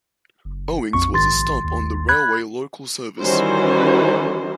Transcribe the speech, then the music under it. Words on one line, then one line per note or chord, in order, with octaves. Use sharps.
Owings was a stop on the railway local service.
F#1
A#1 F2 C#6
G#1 C6 A6
D#2
B5 F#6 G#6
D#3 E3 G3 C#4 F#4 C5